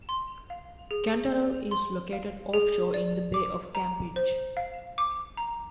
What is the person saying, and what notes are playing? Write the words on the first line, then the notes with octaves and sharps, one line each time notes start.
Cantarell is located offshore in the Bay of Campeche.
C6
F5
G#4
D5
C6
F5
G#4
D5
D6
A#5
C5
F5
D6
A#5